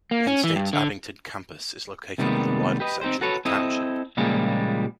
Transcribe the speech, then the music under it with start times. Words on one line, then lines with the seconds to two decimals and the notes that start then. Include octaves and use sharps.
Penn State's Abington campus is located in the Rydal section of the township.
0.11 A#3
0.27 C#4
0.44 E3
0.56 G2
0.73 D3
2.18 C3 D#3 G3 G#3 A#3 B3
2.80 G4 B4 D#5
3.01 C4 D#4 G4 C5
3.21 F#4 A4 B4 C#5
3.45 C4 E4 A4 D#5
4.17 A#2 C#3 F3 G3 G#3 A#3